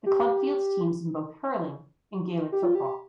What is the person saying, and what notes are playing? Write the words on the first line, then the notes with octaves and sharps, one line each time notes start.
The club fields teams in both hurling and Gaelic football.
G4
G4
F4
G4